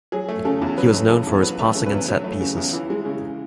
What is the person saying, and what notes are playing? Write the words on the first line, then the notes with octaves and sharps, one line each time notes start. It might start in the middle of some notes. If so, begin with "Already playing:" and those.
He was known for his passing and set pieces.
F#3 G#4
A3
C#3 A4
E2
F#3 B4
A3
C#3 A4
E2
F#3 B4
A3 A4
C#3
B4
E2
F#3
A3
C#3
E2
E3
G#3
C#3